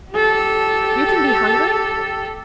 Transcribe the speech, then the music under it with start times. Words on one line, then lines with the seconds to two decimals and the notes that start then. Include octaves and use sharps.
"You can be hungry?"
0.12 G4 A4